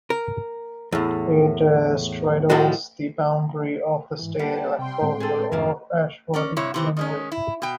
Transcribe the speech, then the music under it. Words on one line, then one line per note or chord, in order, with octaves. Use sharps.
It straddles the boundary of the state electorates of Ashford and Unley.
A#4
E2 A2
A2 F3 G3 G#3 F#4
G#2 E3
G3 A#3 F#5 G5 A5
C3 G5 C6
A2 G#3 C4
G#4 A4
F#2 C#3 E3 F3 A#3
C#4 A#4 D5
G2 C3 E4 C#5
C3 E3 C4
D#3 G#3 C#4
E4
B2 G5